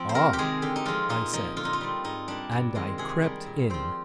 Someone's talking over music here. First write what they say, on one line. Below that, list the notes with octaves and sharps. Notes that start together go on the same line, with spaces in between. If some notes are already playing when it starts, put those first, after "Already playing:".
"Ah," I said ... and I crept in.
Already playing: F3 C4
C5
C3 A#4
G4
D#3 G#3 C4 G#4
D3 G4
D#4
F3 G#3 C4 F4
A#2 D#4
F3 A#3 D#4
D3 F4
D#4
F4
G3 C4
G#2 D#4
G3 A#3 D4
G2
D#3 G#3 C4
C3 G#4
G3 A#3
A#2
F3 C4 C5